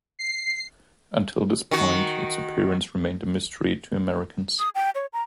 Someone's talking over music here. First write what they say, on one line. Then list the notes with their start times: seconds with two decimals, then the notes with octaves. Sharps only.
Until this point, its appearance remained a mystery to Americans.
0.19 C7
1.71 D#3 F#4
4.59 D#6
4.75 G5
4.95 C#5
5.13 A#5